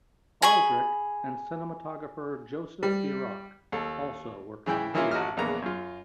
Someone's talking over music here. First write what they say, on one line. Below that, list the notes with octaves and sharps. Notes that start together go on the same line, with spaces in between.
Aldrich and cinematographer Joseph Biroc also worked on the series.
G#4 B5 C#6
G3
D#2 A4
C#3 E3 E4 G5
D#3 E3 A#3 C#4 E4 F4
A1 F#4 D#5 F6
A#1 E2 C#3 A#3 B3 A#5
F#2 F4